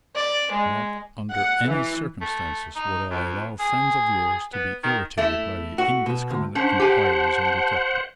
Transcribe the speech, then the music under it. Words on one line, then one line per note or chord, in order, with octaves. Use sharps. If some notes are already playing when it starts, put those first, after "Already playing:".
Not under any circumstances would I allow friends of yours to be irritated by the indiscriminate inquiries of detectives.
D5
G#3
F#5
E3
A3
D#4
F2
G#4
B3
D#3
A3 E4
F#4
B2
D2
C#4 C5 F#5 A5
G4 G#5 A5